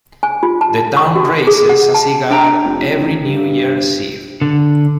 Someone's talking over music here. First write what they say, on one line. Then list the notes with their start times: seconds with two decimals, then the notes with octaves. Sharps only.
The town raises a cigar every New Year's Eve.
0.23 G#5
0.43 F4
0.61 A5
0.97 C#6
1.16 F#4
1.47 G#4
1.69 F#5
1.94 A5
2.30 D4 G5 A#5
2.64 F1
2.99 A1
3.25 G2
4.42 D3